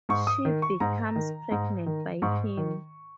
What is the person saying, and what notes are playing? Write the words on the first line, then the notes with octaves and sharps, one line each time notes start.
She becomes pregnant by him.
G#2 C#6
D#6
D#3
C#6
G#2 A#5
D#3
G#2
D#3
G#2 C#6
D#3